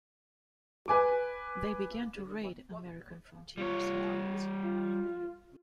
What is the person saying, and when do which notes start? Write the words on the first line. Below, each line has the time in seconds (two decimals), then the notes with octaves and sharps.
They began to raid American frontier settlements.
0.88 B4 G#5 D6
3.58 G3 F4 C#5
4.62 F4